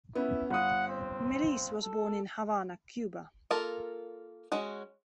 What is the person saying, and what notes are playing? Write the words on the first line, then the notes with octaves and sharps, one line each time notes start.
Melis was born in Havana, Cuba.
B3 C#4 E4
G1 F#5 D#6
C4
A4
A#3 F4 A4 A#4
G#3 C#4 F#4